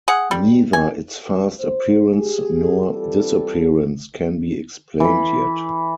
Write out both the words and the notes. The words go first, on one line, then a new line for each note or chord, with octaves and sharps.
Neither its fast appearance nor disappearance can be explained yet.
G#4 F#5
G3
G#5
C5
G4 G#4
E3 G3 C4 F4 A4
E3 B5